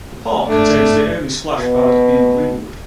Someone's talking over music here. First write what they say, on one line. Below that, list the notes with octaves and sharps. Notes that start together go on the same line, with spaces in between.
The park contains the only splash pad in Greenwood.
G1 G#2 A3 D4
B2